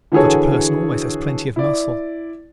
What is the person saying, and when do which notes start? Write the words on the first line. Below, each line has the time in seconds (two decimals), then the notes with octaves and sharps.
Such a person always has plenty of muscle.
0.12 D3 E3 F#4 G#4 A4 C#5
1.56 E4 D5